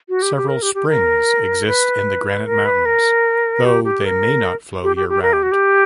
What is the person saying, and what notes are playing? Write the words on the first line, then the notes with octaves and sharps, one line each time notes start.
Several springs exist in the Granite Mountains, though they may not flow year round.
F#4
G4
G4
A#4
G4
G4
A#4
B4
A#4
B4
A#4
G4
G4
A#4
G4
G4
G4
A#4
G4
F#4
G4